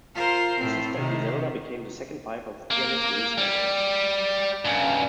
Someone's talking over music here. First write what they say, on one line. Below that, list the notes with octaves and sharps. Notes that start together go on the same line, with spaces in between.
Her sister Griselda became the second wife of the pianist Louis Kentner.
F4 A#4 C5
A2 C4
C3 D#3
A#3
G3
G2 C#3